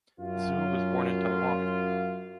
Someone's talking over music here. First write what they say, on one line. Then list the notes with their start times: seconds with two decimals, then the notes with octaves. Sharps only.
Zhou was born in Taiwan.
0.20 F#2 F4